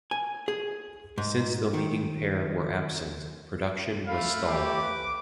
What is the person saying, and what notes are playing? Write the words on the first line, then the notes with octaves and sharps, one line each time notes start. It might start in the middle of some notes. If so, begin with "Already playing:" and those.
Since the leading pair were absent, production was stalled.
G#5
G#4
G#2
D#3
A3 F5 B5
G4 D6
B4